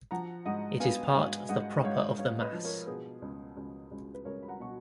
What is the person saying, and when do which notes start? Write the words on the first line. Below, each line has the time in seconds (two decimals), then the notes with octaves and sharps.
It is part of the Proper of the Mass.
0.11 F3 F#5 A#5
0.46 G#2 D#5 F#5
0.80 B3 F5 G#5
1.15 G#2 F5 G#5
1.49 G#2 D#5 F#5
1.78 D#5
1.84 G#2 C#5 F5
2.18 G#2 C#5 F5
2.41 B4 D#5
2.53 F3
2.65 A#4 C#5
2.87 B2 G#4 B4
3.22 C#2
3.57 C#2
3.91 C#2
4.14 B4
4.25 C#2 A#4 C#5
4.43 B5
4.48 F#5 A#5
4.60 B2 C#6